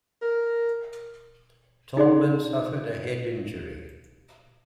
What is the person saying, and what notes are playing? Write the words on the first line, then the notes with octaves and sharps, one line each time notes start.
Tallman suffered a head injury.
A#4
D#4 G#4 D5 C6